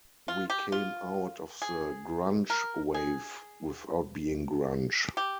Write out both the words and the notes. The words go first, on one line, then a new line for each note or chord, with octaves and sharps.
We came out of the grunge-wave, without being grunge.
F4
G4
F4
G#4
A#4
G#4
G4